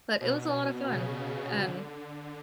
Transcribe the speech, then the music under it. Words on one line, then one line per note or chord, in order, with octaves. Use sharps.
But it was a lot of fun. And
B2
C#3
D3